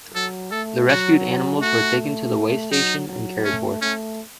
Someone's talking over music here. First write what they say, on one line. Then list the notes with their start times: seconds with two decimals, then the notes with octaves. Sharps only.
The rescued animals were taken to the Waystation and cared for.
0.15 F#3 A4
0.51 A3 A4
0.88 F#3 F#4
1.61 A3 F#4
2.71 F#3 D#4
3.08 F#3
3.45 A3 C#4
3.82 A3 C#4